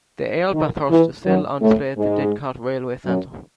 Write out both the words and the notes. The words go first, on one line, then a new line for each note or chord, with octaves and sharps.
The "Earl Bathurst" is still on display at the Didcot Railway centre.
D#3
E3
F#2 F#3
A2 A3
G#2 G#3
F#2 F#3